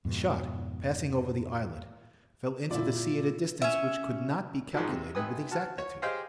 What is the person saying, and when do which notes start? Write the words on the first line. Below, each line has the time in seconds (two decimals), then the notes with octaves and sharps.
The shot, passing over the islet, fell into the sea at a distance which could not be calculated with exactitude.
0.05 F2 G#2 B2
2.71 F#2 A#2 D3 E4 F4 D5
3.62 C#4 E5
4.73 G#2 D#3 F3 F#3
4.88 F2 C3
5.15 G#1 B4 G#5 D#6
5.51 F#4 A5 F6
5.78 C#5
6.02 G4 G#4 C5 D#5 F5 G5